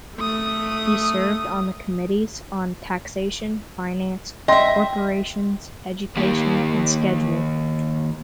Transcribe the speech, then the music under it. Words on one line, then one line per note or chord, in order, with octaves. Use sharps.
He served on the committees on taxation, finance, corporations, education and schedule.
A3 D#6
D#5 E5 G5 C6
D#3 A#3 G4